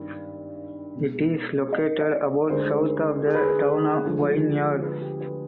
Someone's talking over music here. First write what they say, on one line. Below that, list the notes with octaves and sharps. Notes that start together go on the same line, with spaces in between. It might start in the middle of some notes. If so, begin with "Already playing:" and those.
It is located about south of the town of Wynyard.
Already playing: G#1 G2 D#3
B1 B2 G#3
D#5
D#5
D5
D2 D3 G#3 C5
G#4
B4
G#4
D2 D3 F3 G#3
B4
G4
B4